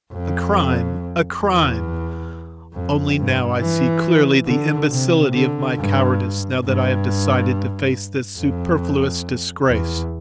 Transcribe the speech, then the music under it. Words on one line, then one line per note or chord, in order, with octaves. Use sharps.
'A crime! a crime!' Only now I see clearly the imbecility of my cowardice, now that I have decided to face this superfluous disgrace.
F2
E2
F2
G2
E3
D3
C3
D3
G2
G2
F2
E2